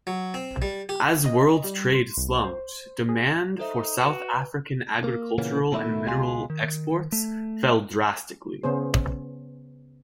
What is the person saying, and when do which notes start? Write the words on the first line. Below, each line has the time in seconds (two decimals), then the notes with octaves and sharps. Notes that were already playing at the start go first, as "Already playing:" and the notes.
As world trade slumped, demand for South African agricultural and mineral exports fell drastically.
0.07 F#3
0.34 C4
0.62 G3
0.89 G4
1.26 D#5
1.64 G3
1.94 C6
2.17 C2
2.44 C5
3.09 G#4
3.59 D#4 A4 C5 E5
3.98 F#4 B4
5.04 A#3
5.38 A#2 C#3 E3 A#3 B3 C#4
5.72 B2 D#3 A3 E4
6.05 C#2 B2 G#3 F4 G#5 C6
6.50 D#3
7.13 A3
8.63 C#3 B3 C#4 G#4 C5